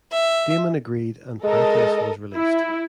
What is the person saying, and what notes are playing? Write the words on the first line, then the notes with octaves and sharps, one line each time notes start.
Damon agreed, and Pythias was released.
E5
G#3 A4 A#4 D#5
E4